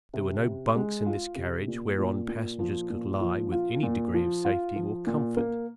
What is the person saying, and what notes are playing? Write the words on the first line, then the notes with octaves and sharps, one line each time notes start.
There were no bunks in this carriage whereon passengers could lie with any degree of safety or comfort.
C3
C3
G#3
F4
C3
A#2
A#2
A#2
F3
A#2
F3
F4
A#2
F3
F4
F3
A#2
A#3